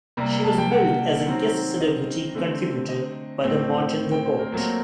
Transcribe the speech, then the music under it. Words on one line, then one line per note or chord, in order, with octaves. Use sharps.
She was billed as a "Guest celebrity contributor" by "The Morton Report".
C3 G3 A#3 A#5
A5
G5
F#5
D#3 F#3 C4
D#5
D3 A3 C4
D#5
A2 A3 C4
G5
C5
A#4
A#2 F#3 A3 C4 A#4